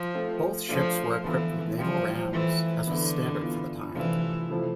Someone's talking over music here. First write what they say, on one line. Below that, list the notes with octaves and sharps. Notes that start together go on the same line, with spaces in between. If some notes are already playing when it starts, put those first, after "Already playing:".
Both ships were equipped with naval rams as was standard for the time.
Already playing: F3
A3 C4 F4
F3 A3 D4 F4
D3 E3 F3 B3 F4
F3 G3 C4 F4 C5
E3 A3 C4 F4 C5
D3 B3 E4 B4 D5
E3 B3 F4
C3 E3 F3 A3 D4 F4
C3 F3 A3 E4